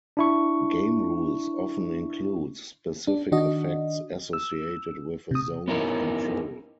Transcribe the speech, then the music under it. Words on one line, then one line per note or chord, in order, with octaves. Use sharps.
Game rules often include specific effects associated with a zone of control.
D4 E4 C#6
D4
D#3 D4 F#4 D#5
E6
C3 D#6
B3 C#4 D#4 E4 A#4